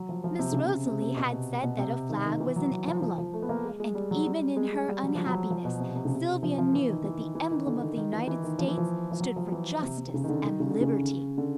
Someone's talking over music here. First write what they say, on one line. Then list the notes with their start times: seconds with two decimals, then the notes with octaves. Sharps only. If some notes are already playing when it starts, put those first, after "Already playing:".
Miss Rosalie had said that a flag was an "emblem," and even in her unhappiness Sylvia knew that the emblem of the United States stood for justice and liberty.
Already playing: F#3
0.09 F3
0.24 F3
0.39 C3
0.52 C#3
0.65 C3
0.87 C3
1.02 C3
1.17 B2
1.32 C3
1.63 B2
1.78 C3
2.09 D#3
2.26 D#3
2.40 E3
2.56 F#3
2.71 F#3
2.88 F3
3.02 F3
3.18 F3
3.34 A3
3.42 B3
3.49 A#3
3.64 G#3
3.80 G#3
3.95 G3
4.11 F#3
4.26 G3
4.56 G#3
4.72 G#3
4.88 G3
5.03 F#3
5.15 F3
5.26 F#3
5.50 F3
5.65 B2
5.80 C3
5.96 C3
6.05 C#3
6.15 C3
6.43 F3
6.58 F3
6.74 E3
6.89 D#3
7.04 E3
7.20 D#3
7.35 E3
7.51 D#3
7.66 D3
7.82 D#3
7.97 D#3
8.13 E3
8.27 E3
8.43 D#3
8.59 F3
8.68 E3
8.78 F3
9.11 F3
9.20 F#3
9.36 F3
9.52 E3
9.82 C3
9.98 C3
10.14 C#3
10.24 D#3
10.29 D3
10.45 D#3
10.60 C#3
10.70 D3
10.81 C#3
11.38 D3